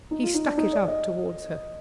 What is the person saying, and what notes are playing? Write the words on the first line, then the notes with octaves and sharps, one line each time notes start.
He stuck it out toward her.
D#4
F4
D#4
D4
D#4
D5
D#5